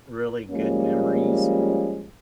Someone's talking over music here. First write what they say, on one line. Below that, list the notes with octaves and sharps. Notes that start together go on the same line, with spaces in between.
really good memories,
F3 G3 G#3 A#3 C#4